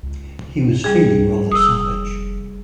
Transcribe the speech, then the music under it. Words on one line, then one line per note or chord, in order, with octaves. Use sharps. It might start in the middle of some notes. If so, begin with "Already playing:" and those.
He was feeling rather savage.
C#2
G3 G#4
F1 D#6 E6